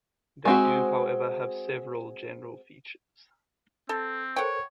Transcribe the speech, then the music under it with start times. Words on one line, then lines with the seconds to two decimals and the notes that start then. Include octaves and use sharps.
They do however have several general features.
0.45 G#3 C4 F#4
3.89 C4 A4
4.36 A4 A#4 C5 C#5 F#5 G5